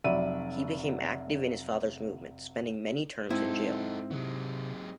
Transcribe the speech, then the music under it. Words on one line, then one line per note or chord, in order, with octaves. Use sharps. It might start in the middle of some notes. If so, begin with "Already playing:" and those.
He became active in his father's movement, spending many terms in jail.
F1 F#3 D5 E5 B5 D#7
G#2 C4 D#4 E4 A4
C3 F#3 G#3